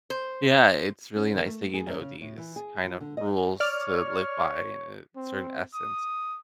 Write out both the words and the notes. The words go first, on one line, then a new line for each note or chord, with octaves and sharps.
Yeah, it's really nice that you know these kind of rules to live by, in a certain essence,
C5
C#4
D#3
A3
G#4
F#2
C#3
A2
E3
G#4
F3
D3
D#5
C#5 D5 F6
C4
D#6